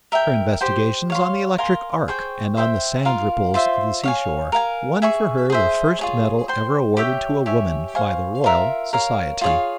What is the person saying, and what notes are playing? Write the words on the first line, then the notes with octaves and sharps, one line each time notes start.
Her investigations on the electric arc and on the sand ripples of the seashore won for her the first medal ever awarded to a woman by the Royal Society.
A#4 E5 G5
G4 C5 G5
C#5 F5 C6
A#4 F5 G#5 C6
G#4 C5 G5 C#6
C5 E5 G5
F4 A#4 F5
F4 C5 E5
C#5 F5 G#5
A#4 F5 G#5
G#4 E5 G#5 C#6
G#4 C5 E5
F4 G#4 C#5
C5 G5 C6
G4 C#5 E5 G5
G4 C#5 E5 G#5
C5 F5 G#5 C#6
F4 A#4 E5
A#4 C#5 F5
F4 G#4 C#5 F5